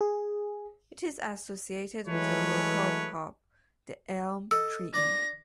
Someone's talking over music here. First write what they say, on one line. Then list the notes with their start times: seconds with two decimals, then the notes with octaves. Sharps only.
It is associated with the local pub, The Elm Tree Inn.
0.01 G#4
2.08 E3 F#3 G#3 A3 B4 C#5
4.51 A4 D#5 E6
4.94 D4 D5 A#6